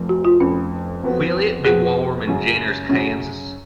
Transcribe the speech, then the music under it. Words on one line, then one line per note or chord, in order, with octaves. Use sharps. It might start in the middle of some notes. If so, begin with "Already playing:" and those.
Will it be warm in Jenners Kansas?
Already playing: F1 F2 F3
F#4
F4
F1 F2 F3 C#4
F2 F3 B3 F#4
F2 F3 B3 F#4 G#4
F#2 C#3 F#3 C#4
F#2 C#3 F#3 C#4